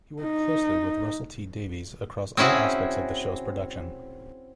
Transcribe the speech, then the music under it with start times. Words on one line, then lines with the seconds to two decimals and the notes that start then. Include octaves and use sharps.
He worked closely with Russell T Davies across all aspects of the show's production.
0.22 D#4
2.37 C4 C#4 E4 F#4 G#4